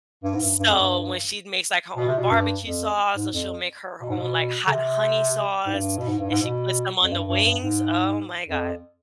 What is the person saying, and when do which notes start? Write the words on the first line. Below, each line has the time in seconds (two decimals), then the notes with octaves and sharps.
So, when she makes, like, her own barbecue sauce, so she'll make her own, like, hot honey sauce and she puts them on the wings, oh my god,
0.24 G2
0.34 G#2
0.42 G2
0.58 G2
0.69 F2
0.79 G2
1.96 B2
2.07 C3
2.18 B2
2.30 G2
2.65 F2
3.15 G#2
3.33 F2
4.01 B2
4.09 G#2
4.18 B2
4.67 D3
4.71 C3
5.66 G#2
5.73 G2
5.98 B2
6.07 G#2
6.19 G2
6.30 G#2
6.42 B2
7.03 F2
7.11 G2
7.28 G2
7.45 G2
7.62 G#2
8.48 F2